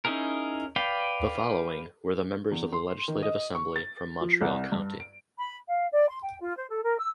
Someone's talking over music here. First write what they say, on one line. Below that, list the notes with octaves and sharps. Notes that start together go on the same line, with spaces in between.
The following were the members of the Legislative Assembly from Montreal County.
C#4 D#4 E4 G#4 A#4
B4 D5 F5 G5
E2
C6
D#3
D#5
C#6
A6
F3
C2
G2
D7
B5
F5
D5
C6
G5
F4
C5
A4
A#4
E6